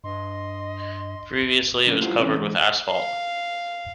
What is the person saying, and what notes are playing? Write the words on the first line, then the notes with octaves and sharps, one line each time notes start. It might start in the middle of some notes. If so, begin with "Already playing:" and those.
Previously, it was covered with asphalt.
G2 D#5 C6
D3 F#3 C#4
G2 A3 E4 F4 C5 F#5
C3 E3 C#4 E4
E2 G#2
F5